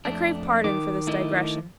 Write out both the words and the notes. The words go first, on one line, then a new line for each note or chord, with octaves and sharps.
I crave pardon for this digression.
F2 A3 D4
D#3 D6
A3 E4 D#5